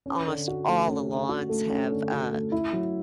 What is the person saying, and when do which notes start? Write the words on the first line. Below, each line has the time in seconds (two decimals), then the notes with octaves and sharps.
almost all the lawns have, uh,
0.06 C#4
0.27 D3
0.48 F#4
0.68 A3
0.88 C#4
1.09 D3
1.29 F#4
1.49 A3
1.70 C#4
1.91 D3
2.12 F#4
2.32 A3
2.52 E4
2.73 F#3